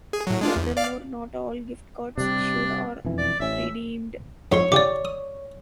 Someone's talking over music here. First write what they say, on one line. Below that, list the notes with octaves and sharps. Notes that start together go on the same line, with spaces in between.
Furthermore, not all gift cards issued are redeemed.
G#4
A2 F#3
G#3 D4 F4
E2
D5 F5
C3 G3 D4
E1 F2 E3
D5
A1 C#4 E5
F2 G#2 C#5 C6
A1 C#3 D5 G5 D6
D#6